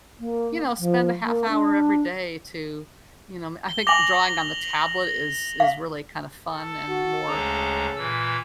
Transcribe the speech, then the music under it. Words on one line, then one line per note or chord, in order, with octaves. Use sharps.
you know, spend a half hour every day to, you know m I think drawing on the tablet is is really kinda fun and more,
A#3
F3
A#3
D4
G7
G#5 D6 A#6 F7 F#7
F5
A4
F#4
D2 C#3 G#3 A#5
A#2 E3 E6